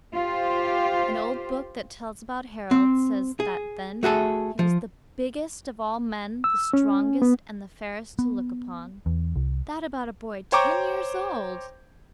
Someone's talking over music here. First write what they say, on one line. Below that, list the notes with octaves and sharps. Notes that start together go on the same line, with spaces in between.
An old book that tells about Harald says that then "he was the biggest of all men, the strongest, and the fairest to look upon." That about a boy ten years old!
F4 G4 C5
C4
G#4
A3 F#4 G#4 A4
F3
E6
C#4
B3
B3
E2
C2
C5 C#5 G5 A#5 C#6 D6